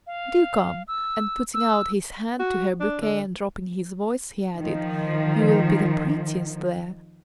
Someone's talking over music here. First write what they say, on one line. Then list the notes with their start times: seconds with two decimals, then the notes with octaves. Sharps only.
Do come!" and putting out his hand to her bouquet and dropping his voice, he added, "You will be the prettiest there.
0.07 F5
0.88 E6
1.54 E6
2.40 F#4
2.80 D4
3.02 D3
4.58 D#3 F3